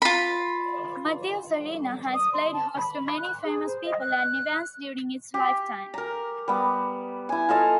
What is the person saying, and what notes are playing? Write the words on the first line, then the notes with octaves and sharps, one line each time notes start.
Matthews Arena has played host to many famous people and events during its lifetime.
F4 B5
D#6
C6
A5
B5
F#6
G#4
C5
D#5
F#6
G4
A#4 A#5
G3 B3
E4 G#5
F4 A4 D#5 F5